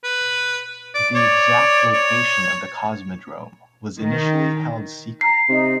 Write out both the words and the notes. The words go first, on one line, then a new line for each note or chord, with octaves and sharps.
The exact location of the cosmodrome was initially held secret.
B4
D5
C#5 D5
C#5
D#3
A#5 C7
C3 D#4